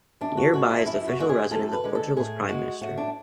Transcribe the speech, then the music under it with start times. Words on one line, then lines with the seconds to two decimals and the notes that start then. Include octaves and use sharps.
Nearby is the official residence of Portugal's Prime Minister.
0.21 F#2 D4
0.37 F#4
0.53 D3 G#3 F#4
0.70 E4
0.86 F#2 E4
1.08 F#4
1.19 D3 G#3 F#4
1.29 G#4
1.51 F#2 A4
1.73 B4
1.84 D3 G#3
1.95 A4
2.16 A2 G#4
2.49 G#3 F#4
2.81 A2 F#4
2.98 D4